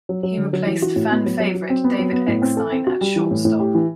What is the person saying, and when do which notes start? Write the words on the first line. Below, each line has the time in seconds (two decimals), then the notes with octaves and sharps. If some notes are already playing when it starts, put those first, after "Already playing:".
He replaced fan favorite David Eckstein at shortstop.
0.09 F#3
0.23 F#3
0.37 D3
0.53 F#3
0.67 E3
0.82 F#4
0.96 A2
1.11 B3
1.26 F#3
1.40 F#3
1.55 F#3
1.70 C4
1.84 B3
1.99 F#3
2.13 B3
2.27 A2
2.42 C4
2.57 A4
2.72 C4
2.87 F#4
3.01 G3
3.16 E3
3.31 A2
3.45 A2
3.60 G4
3.74 E3